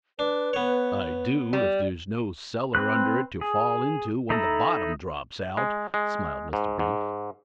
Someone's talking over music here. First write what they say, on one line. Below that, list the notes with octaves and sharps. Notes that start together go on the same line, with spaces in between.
"I do if there's no cellar under it to fall into when the bottom drops out," smiled Mr. Brief.
D4 B4
B3 C#5
G3
C4 B4 F#6
G#4
D#4 E4 A4 A#5
G#3
G#3
G#2
G#2